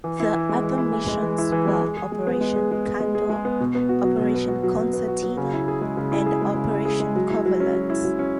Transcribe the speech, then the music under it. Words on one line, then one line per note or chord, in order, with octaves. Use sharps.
The other missions were "Operation Condor", "Operation Concertina" and "Operation Coverlet".
E3
E4
E3
G#3
E3
E4
E3
G#3
E3
E4
E3
G#3
G#3
G#4
G#3
B3
G#3
G#4
G#3
B3
G#3
G#4
G#3
B3
B2
B3
F#4
F#3
B2
B3
F#4
F#3
B2
B3
F#4
F#3
C#3
E4
G#4
G#3
C#3
E4
G#4
G#3
C#3
E4
G#4
G#3
F#3
E4
F#3
C#4
F#3
E4
F#3
C#4